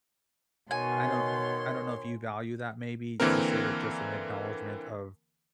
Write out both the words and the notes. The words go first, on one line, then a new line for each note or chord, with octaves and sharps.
I I don't uh, I don't know if you value that maybe as sorta just an acknowledgement of
B2 D#3 C#5 G#5 C6
D3 E3 A#3 C4 A#4